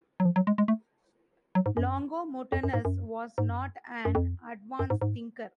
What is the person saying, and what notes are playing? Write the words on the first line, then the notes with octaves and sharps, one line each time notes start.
Longomontanus was not an advanced thinker.
F#3
F3
F#3
G#3
G#3
A3
F#3
G#2
F#2
F2
F#2
G#2
F#2
G#2
F#2
F#2
F2
F#2
G#2
G#2